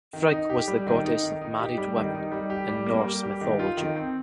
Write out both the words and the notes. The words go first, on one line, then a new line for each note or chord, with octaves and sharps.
Frigg was the goddess of married women, in Norse mythology.
D#3
D#4
G4
G3
D#3
D#4
D#3
D#4
G4
G3
D#3
D#4
G3
G4
G3
A#3
G3
G4
D#3
F4
D#3
C4